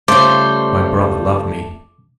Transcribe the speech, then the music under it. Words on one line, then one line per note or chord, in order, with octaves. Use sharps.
My brother loved me.
C#3 G3 A3 F4 C5 C#5 D6